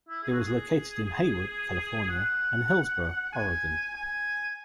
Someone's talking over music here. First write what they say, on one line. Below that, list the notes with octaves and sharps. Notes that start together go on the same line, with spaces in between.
It was located in Hayward, California, and Hillsboro, Oregon.
E4
G#4
F#4
G#4
F#5
G#5
G#5